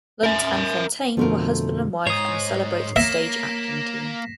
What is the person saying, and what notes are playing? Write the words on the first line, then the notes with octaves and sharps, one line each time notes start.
Lunt and Fontanne were husband and wife and a celebrated stage acting team.
A#4 E5
F2 B2 D3 F3 A3 A#4
G#2 C#5 D#6 C7
A#3 E5 A#6 B6 E7